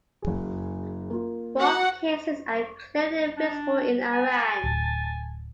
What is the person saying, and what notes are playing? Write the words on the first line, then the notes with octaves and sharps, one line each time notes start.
Both cases are clearly visible in Iran.
F#1 G#4
A#3 F4
F#4 F#5
D4
G#5 A5
D1